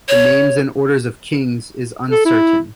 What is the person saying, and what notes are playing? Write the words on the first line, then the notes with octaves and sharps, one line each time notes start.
The names and order of kings is uncertain.
C#5
A4
E4